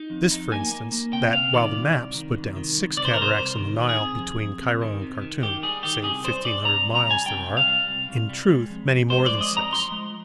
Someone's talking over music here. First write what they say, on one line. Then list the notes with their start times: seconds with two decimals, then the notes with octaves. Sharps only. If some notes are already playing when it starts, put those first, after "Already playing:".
This, for instance: that, while the maps put down six cataracts in the Nile between Cairo and Khartum, say fifteen hundred miles, there are, in truth, many more than six.
Already playing: D#4
0.10 F2
0.31 D#4
0.51 A#3 G#5
0.72 A#3
0.92 A#3
1.13 C3 G5
1.33 C3 F5
1.53 D#3 D5
1.74 C2
1.94 C2
2.15 D#3
2.36 C2
2.56 D#3
2.77 C2
2.97 C3 D5
3.05 C5
3.13 A#4
3.18 C2 C5
3.37 C2
3.59 D#3
3.79 D#3
3.89 G#4
3.99 C3
4.19 F2
4.40 F2
4.61 C3
4.82 D#3
5.02 C3
5.22 D#3
5.42 D#3 G4
5.62 G3 G#4
5.83 D#3 G4
6.03 C2 G#4
6.24 G3 C5
6.45 G3 D5
6.65 C2 A#5
6.86 C2
6.95 A#5
7.06 G3 G#5
7.26 C2 G5
7.48 C2
7.57 F5
7.67 G3
7.89 C2
8.09 C2
8.29 G3
8.50 G#3
8.70 F2
8.90 F2
9.10 G#3 C5
9.26 G#3 D5
9.41 D#5
9.52 F2 A#5
9.72 F3 C6
9.92 G#3